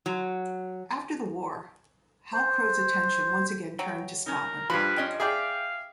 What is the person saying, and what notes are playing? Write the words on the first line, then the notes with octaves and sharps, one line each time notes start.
After the war, Halcrow's attention once again turned to Scotland.
F#3
C5
F#3 G5
C#4 D#4 A#4
G2 F3 B4 B5
C#4 D#5 G5
G#4 D5 E5 F5 G5